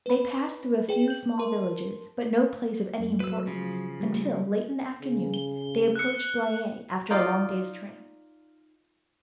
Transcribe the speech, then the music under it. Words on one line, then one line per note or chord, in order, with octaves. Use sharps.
They passed through a few small villages, but no place of any importance until, late in the afternoon, they approached Blaye, after a long day's tramp.
B4 B5
G#4 B4 G5
G6 F#7
A#4 A5 C6
F#2
F#3 B4 E6
C#3 F3
G3
C#3
G7
F#6 C#7
D#4 F4 D5